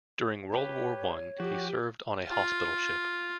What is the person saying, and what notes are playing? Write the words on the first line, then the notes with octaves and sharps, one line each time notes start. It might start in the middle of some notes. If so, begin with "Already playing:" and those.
During World War One he served on a hospital ship.
G4 B4 C#5
F3 F#4 G4
F4